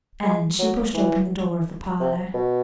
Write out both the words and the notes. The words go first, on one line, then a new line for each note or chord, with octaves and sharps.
And she pushed open the door of the parlour.
G#3
F#3
E3
C3
B2